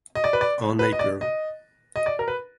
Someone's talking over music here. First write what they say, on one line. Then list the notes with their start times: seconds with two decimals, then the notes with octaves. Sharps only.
On Apr.
0.15 D#5
0.24 D5
0.33 B4
0.41 D5
0.79 B4
0.92 D#5
0.99 D5
1.21 D#5
1.96 D#5
2.06 D5
2.19 A#4
2.28 B4